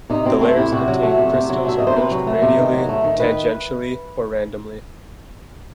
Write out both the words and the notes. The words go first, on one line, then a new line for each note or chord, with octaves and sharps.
The layers contain crystals arranged radially, tangentially or randomly.
C3 D#4
F#3 C4
A3 C4
C3 E4
C3 F#4
F#3
A3
C3
C3
F#3
A3 E5
C3 D#5
C5
C3 B4
F#3
A3
C3
D#3
F#3
A3
D#3
D#3 B4